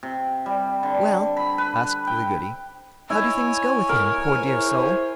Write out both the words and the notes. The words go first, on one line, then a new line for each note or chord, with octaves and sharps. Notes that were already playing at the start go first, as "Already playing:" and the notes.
'Well', asked the Goody, 'how do things go with him, poor dear soul?'
C3
G3
D3
B5
B4
G5
E4 C#5 G#5
A#4
E4 G#4 C5